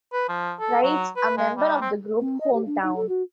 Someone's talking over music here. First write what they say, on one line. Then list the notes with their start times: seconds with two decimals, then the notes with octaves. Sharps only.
Wright's, a member of the group, hometown.
0.13 B4
0.29 F3
0.59 A4
0.83 F#3
1.16 B4
1.37 G#3
1.57 G3
1.81 C4
2.20 C4
2.40 D#5
2.54 G4
2.66 D4
2.83 D#4
2.96 A4
3.09 F#4